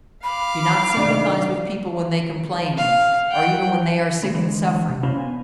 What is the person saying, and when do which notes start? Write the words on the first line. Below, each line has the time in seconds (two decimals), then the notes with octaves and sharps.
Do not sympathize with people when they complain, or even when they are sick and suffering.
0.23 F5 B5 D6
0.97 C3 D#3 A3 D4
2.77 F5
3.28 F#5 G5
4.22 D3 E3 G#3 C4
4.89 C3
5.03 C#4 D4 E4 F#4 C5 F5
5.18 B3 G#5